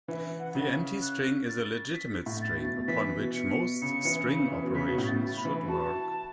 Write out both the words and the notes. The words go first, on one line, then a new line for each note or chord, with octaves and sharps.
The empty string is a legitimate string, upon which most string operations should work.
E3 E5
F#5
C#3
F#6
A6
B6
A2
A6
B2
E3 B6
B2
C#7
B2
C#3 C#7
E3
C#3
E3
B2
C#3 B6
B2
A2
A6
B5
E3
F#4 A5